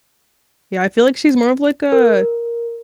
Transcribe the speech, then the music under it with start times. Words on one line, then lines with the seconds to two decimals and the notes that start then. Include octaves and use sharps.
Yeah, I feel, like, she's more of, like, a
1.92 A#4